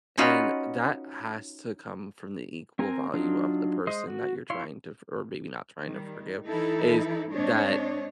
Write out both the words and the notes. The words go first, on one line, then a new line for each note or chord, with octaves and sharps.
and that has to come from the equal value of the person that you're trying to for or maybe not trying to forgive, is that
C#4 D#4 F4 F#4 B4
C4 A#4 G#5 A#5
F#3 D4 D#4 F4
G#3 C5 D#5
F#4
E4 C#5 F5 C6
D#3 G3
E3 D#4 E4 A4
G#2 C4 D4 C#5 D#5